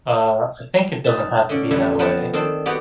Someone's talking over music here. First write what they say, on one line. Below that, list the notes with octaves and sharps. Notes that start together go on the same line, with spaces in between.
Uh, I think it doesn't have to be that way.
D#4 B4 A5
D3 C#4 D5
F2 D3 E3 G3 A3 B3
F3 B3 F#5 G5 A5
D#3 C4 D4 A4
B3 F#4 G4 C#5 D5